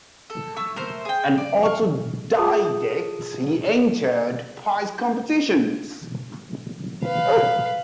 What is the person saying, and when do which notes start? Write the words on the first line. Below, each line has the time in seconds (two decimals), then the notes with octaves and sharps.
An autodidact, he entered prize competitions.
0.30 A4
0.56 A3 C#6 E6
0.76 A3 A#4 C5
1.05 G#4 G5
1.38 D5
1.63 F5 C#6
2.38 F4 G#4 A5 D#6
7.04 B4 F5